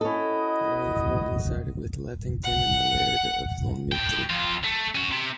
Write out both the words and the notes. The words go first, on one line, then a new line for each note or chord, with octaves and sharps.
The Earl of Morton sided with Lethington and the Laird of Longniddry.
C#4 E4 F#4 A4 D#5
F#5
A2 G5
F2 F4
A3
C#4 F#4
C3